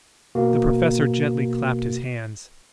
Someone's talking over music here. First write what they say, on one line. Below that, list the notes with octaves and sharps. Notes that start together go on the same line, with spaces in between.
The Professor gently clapped his hands.
B2 A#3 F#4